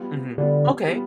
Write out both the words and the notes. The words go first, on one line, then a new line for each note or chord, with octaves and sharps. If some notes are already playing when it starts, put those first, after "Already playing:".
Mhm, okay.
Already playing: G3 B3 F4
D3 G3 B3 F4
G3 B3 F4